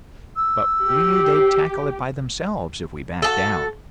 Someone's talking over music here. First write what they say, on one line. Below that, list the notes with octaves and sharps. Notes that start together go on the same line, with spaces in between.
But we knew they'd tackle it by themselves if we backed out.
E6
G4
F#4 G#4 A4